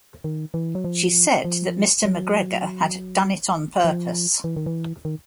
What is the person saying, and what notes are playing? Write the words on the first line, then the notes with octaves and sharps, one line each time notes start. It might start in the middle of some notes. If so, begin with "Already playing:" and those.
She said that Mr McGregor had "done it on purpose."
D#3
E3
F#3
F3
F3
F#3
F3
E3
D#3
E3
D#3